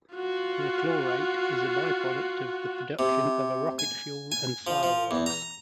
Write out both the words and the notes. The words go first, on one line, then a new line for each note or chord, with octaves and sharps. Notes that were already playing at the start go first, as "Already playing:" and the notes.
Perchlorate is a byproduct of the production of a rocket fuel and fireworks.
F4 F#4
C3
G#5
G#5
F3
F3
E2
A#5